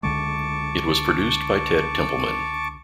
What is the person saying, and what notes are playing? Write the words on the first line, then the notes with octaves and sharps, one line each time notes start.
It was produced by Ted Templeman.
C#2 D3 G#3 A5 C#6 D6